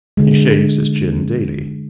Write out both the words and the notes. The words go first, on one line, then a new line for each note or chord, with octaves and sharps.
He shaves his chin daily.
D3 G#3